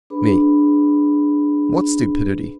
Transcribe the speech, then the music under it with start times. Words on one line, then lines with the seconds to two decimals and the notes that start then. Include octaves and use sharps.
ME: What stupidity?
0.10 D4 G#4 B4 B5